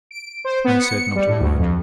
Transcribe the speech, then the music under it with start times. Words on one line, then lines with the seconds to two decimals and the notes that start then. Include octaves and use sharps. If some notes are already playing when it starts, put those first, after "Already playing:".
I said not a word.
0.11 D7
0.45 C5
0.64 B3
0.80 C#7
1.15 G3
1.28 A2
1.40 D2
1.59 F2